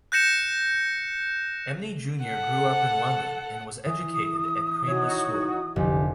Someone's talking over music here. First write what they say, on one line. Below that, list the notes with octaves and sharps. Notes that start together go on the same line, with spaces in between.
Emney junior grew up in London and was educated at Cranleigh School.
F#6 G6 A#6 C#7 E7
A4 F#5
E3 D#6
E3 D#4 F#4 C#5
F1 A#1 D3 G4